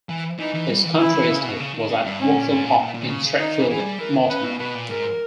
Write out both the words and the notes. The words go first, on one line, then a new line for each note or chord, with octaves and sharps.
His country estate was at Wokefield Park in Stratfield Mortimer.
E3
E3 D#4
E3
G3
E3
E3 E4
E3
C#3
B2
C#3
D#3
C#3
G2
G#2 C#4
A#2
G#2
A#2
A#2
A#2
D#3
C#3
C#3
D#3 D#4
E3
E3 G#4
G3
E3 A#4
D#3
C#3 B4
B2
B2 B4
A#2
G#2 A#4